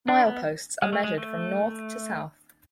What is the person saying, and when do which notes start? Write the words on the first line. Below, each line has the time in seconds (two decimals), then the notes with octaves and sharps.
Mileposts are measured from north to south.
0.08 D4
0.27 B3
0.82 G#3
0.93 A3
1.04 G#3
1.18 A3